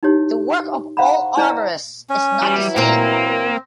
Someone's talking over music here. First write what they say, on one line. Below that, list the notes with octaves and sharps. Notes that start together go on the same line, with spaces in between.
The work of all arborists is not the same.
D#4 E4 G4 C#5
C5 F5 F#5 A#5 B5
E4 C5 D5 D#5 A5 A#5
C#4
E3 F#3 G3 E4
A#2 A#3 C4 A#4